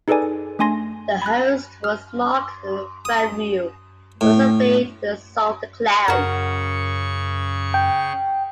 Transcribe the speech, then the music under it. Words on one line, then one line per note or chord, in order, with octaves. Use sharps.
The host was Marc Favreau, who also played Sol the Clown.
D#4 G#4 A4 B4 D5 G#5
A3 D4 G#5 C6 A#6
B5 F#6
F6
D#6
A2
F#2 C#3 F#4 A#4 C#6
G5